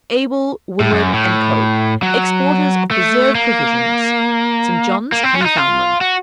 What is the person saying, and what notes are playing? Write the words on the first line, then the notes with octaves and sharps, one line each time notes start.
Abel Woodward and Co., exporters of preserved provisions, St John, Newfoundland.
A2
F#2
A2
F#3
A3
A#3
A#3
C4
C#4
F4
D#4
F4
F#4